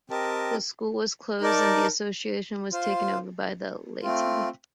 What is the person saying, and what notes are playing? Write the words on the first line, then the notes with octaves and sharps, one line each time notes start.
The school was closed and the association was taken over by the laity.
C4 G4 A#4 D#5 A5
D#4 A#4 D5 A5
F4 C5 F5
A3 C4 F4